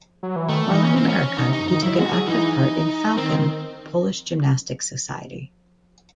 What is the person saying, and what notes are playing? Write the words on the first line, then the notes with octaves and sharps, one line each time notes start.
While in America he took an active part in "Falcon" Polish Gymnastic Society.
F#3
E3
D#3 A3
E3 D#4
C#4
C4
C#4
D#3 D#4
C3
D#4
F#2
D#3 D#4
F#3 E4
G#3 F#4
F#3 G#4
E3 D#4
D#3 C4